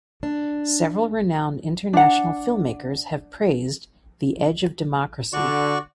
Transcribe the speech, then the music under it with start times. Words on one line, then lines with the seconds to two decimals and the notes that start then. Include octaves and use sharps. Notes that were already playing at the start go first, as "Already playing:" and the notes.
Several renowned international filmmakers have praised The Edge of Democracy.
0.23 D4
1.93 D4 F#5
5.33 D3 F#4 D5 C#6